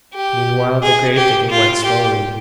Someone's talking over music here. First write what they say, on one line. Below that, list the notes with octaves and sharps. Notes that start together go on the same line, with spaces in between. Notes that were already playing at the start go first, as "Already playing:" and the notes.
Meanwhile the grave digging went slowly.
G4
G#4
G4
F4
G4